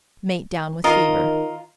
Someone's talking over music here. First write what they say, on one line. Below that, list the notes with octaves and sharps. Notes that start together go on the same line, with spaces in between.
Mate down with fever.
D#3 F4 A#4 D#5